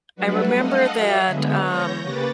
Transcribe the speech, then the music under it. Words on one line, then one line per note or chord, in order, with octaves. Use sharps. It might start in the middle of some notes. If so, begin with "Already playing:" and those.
I remember that, um
F#3 G3 A3 D4 F#4 B4
A4 D#5 F5 F#5
F#3 E5
D3 G#3 B3
C#5 G6 A#6
C#3 A#3 G4 B4 A6